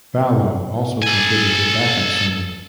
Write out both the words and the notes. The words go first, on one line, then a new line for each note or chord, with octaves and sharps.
Valo also contributed back up singing.
A4 G#5